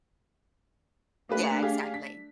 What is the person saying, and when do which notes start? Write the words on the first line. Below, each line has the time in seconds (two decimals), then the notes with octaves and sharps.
Yeah, exactly.
1.29 A3 A#3 D4 G4 B4
1.62 G4 G#4 F5
1.94 B6